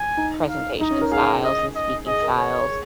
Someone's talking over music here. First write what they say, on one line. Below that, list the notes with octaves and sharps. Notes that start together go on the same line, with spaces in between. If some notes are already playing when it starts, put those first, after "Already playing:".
presentation styles and speaking styles.
Already playing: G#5
D#4
F5
D#4 D#5
C#4
A#4
G#4 F5
D#5
D#5
G#4 D#5
A#4
C#5
G#4